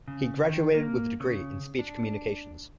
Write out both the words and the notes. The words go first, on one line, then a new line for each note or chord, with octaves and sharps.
He graduated with a degree in speech communications.
C#3
D#3
A#3
C#3
D4